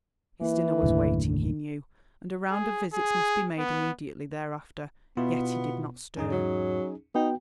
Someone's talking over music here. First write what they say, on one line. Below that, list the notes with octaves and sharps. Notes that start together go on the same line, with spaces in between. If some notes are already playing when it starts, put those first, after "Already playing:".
His dinner was waiting, he knew, and a round of visits must be made immediately thereafter, yet he did not stir.
E3 A#3
F#1 D#2 A2 D3
G#4
G#4
B3
B2 B3 E4 F4
E2 G#2 C#4 D#4 G#4
F#3
B3 D#4 F#4 G5